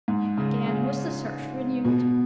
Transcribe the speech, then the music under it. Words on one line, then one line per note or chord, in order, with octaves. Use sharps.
Again was the search renewed.
G#2
C#3
C#3
B2